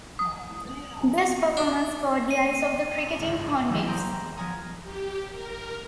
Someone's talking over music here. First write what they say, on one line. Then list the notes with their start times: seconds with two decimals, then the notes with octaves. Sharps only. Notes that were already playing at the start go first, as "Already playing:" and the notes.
This performance caught the eyes of the cricketing pundits.
0.19 D#6
1.57 D4
2.31 D#7
3.19 G#1 C#2
3.69 E3 F#3 G3 E4
3.87 G5 A#5 C6 D#6
4.37 F3 B3 G#5 A#5 D#6
4.83 G4
5.30 A#4